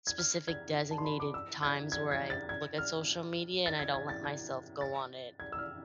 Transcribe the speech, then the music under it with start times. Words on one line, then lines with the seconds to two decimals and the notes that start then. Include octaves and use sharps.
specific designated times where I look at social media, and I don't let myself go on it
0.07 G#6
0.18 F6
0.48 G#6
0.91 A5
0.98 C6
1.05 B5
1.20 D6
1.34 E6
1.63 G#6
1.92 G#6
2.11 G#6
2.30 A6
2.49 G#6
2.78 F6
3.66 A6
3.79 G#6
3.94 G#6
4.09 A6
4.24 G#6
4.81 A6
5.40 G#6
5.52 E6
5.58 F6